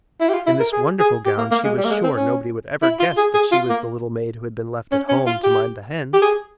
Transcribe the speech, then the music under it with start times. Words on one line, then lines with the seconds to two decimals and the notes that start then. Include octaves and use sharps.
In this wonderful gown she was sure nobody would ever guess that she was the little maid who had been left at home to mind the hens.
0.21 E4
0.29 G4
0.34 F4
0.46 E4
0.60 A#4
0.72 G#4
0.99 G#4
1.25 G4
1.38 A#3
1.51 A#3
1.64 G#3
1.78 G3
1.85 A#3
1.91 G#3
2.04 C4
2.16 C#4
2.82 E4
2.99 F4
3.17 G#4
3.34 G#4
3.52 F4
3.69 A#3
4.92 C#4
5.09 C#4
5.26 F4
5.44 G4
6.13 G4
6.22 G#4